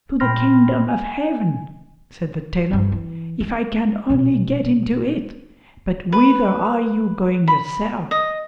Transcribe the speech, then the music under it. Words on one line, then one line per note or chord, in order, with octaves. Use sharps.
'To the kingdom of Heaven', said the Tailor, 'if I can only get into it'--'but whither are you going yourself?'
A#2 G5 B5 C6 F6 A#6
G#5
G1 G2
E3
A3
A#1 B2
B4
B5
D#5